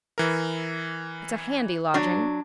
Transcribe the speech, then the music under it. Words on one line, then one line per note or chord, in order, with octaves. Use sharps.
It's a handy lodging.
E3 A#4
F#3 D4